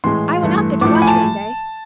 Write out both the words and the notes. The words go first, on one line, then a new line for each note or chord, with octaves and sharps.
I went out there to lunch one day.
A2 E3 G#3 C6
G2 E3 A3
A2 F3 A3 D6
B5
G#5
A5